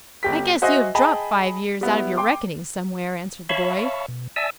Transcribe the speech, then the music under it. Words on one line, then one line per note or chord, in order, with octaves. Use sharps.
"I guess you have dropped five years out of your reckoning somewhere," answered the boy.
G1 G4 B6
F#4 C5 D#5 E5 F#5 G#5
G#4 D#5 G5 A5 B5
G3 B3 E4
G5 C6 D6
C#5 E5 F5 A5 B5 C#6
B2
D5 E5 G#5 A5 E6